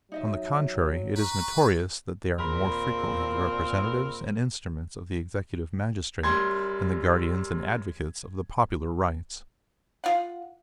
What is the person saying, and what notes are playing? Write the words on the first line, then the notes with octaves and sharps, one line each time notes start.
On the contrary, it is notorious, that they are more frequently the representatives and instruments of the executive magistrate, than the guardians and advocates of the popular rights.
F#3 D#4 D#5 E5
B4 A#5 C#6
D#2 A#2 C4 G#4 A#4 B5
F#2 G3 C6 G#6
F4 F5 F#5